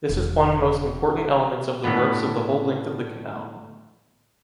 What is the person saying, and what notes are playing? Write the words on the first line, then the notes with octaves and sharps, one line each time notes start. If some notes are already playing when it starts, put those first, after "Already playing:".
This is one most important elements of the works of the whole length of the canal.
E1 D#2
A2 D3 B3 B4